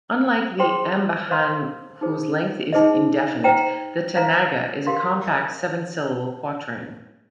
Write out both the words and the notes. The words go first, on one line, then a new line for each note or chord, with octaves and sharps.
Unlike the ambahan whose length is indefinite, the tanaga is a compact seven-syllable quatrain.
G#4 C5 G5 C6
C5 F5 C6
D#4 G#4 C5
D#4 G#4 C5 D#5
C5 G5 A#5
C5 F5 A#5
G4 A#4 F5 C6